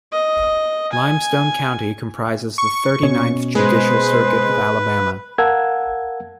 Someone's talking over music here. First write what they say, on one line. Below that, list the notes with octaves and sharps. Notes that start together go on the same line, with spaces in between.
Limestone County comprises the Thirty-Ninth Judicial Circuit of Alabama.
D#5
G#5
C#6
B2 C#4
G#3 B4 C5
A#4 F5 F#5 A5 E6 G#6